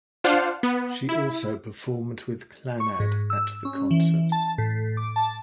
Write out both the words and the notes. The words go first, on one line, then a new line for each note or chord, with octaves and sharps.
She also performed with Clannad at the concert.
D4 F4 C5 F5 F#5
B3
E4
C#6
G#2
E6
C#4
E3
A5
A2
D6
A5